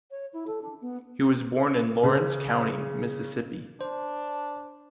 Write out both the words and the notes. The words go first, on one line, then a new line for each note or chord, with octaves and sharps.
He was born in Lawrence County, Mississippi.
C#5
E4
A4
D4
B3
C#3
D4 C5